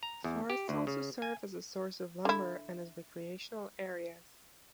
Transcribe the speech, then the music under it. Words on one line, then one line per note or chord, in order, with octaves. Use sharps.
Forests also serve as a source of lumber and as recreational areas.
A#5
E2
G4
D2
C#3
G#5
D3 E4